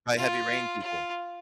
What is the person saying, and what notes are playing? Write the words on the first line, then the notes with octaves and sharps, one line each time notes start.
I Heavy Rain people.
F4
F4